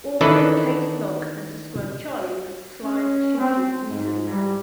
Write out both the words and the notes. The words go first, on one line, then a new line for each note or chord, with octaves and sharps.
Author Kate Lock has described Charlie as a "sly, shifty, weaselly man".
D#3 E3 C#4 D4 A4 B4
C#4
C4
G#2
G3